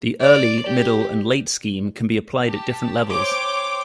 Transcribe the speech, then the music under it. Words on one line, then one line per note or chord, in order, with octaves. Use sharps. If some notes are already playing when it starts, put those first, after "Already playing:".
The "Early", "Middle" and "Late" scheme can be applied at different levels.
D5
G4
G4 A5
C5 C#5 G5 D6